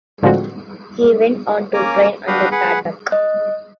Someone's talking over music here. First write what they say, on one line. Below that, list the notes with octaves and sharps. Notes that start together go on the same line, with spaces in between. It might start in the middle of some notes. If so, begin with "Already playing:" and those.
He went on to train under Pat Buck.
A2 D3 F3 G#3 C4 F#4
A#3 C#4 G#5 A#5 D6
D4 F#4 B4 F5 G5 D#6
G#4 B4 F#5
D#5 F#6